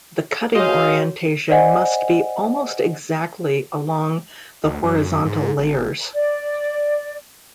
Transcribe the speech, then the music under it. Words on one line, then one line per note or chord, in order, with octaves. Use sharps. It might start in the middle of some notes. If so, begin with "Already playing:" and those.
The cutting orientation must be almost exactly along the horizontal layers.
F#4 G#4 C#5 D#5 F5
C5 D5 D#5 F#5 G#5
D2
F#2
G#2
G#1
D5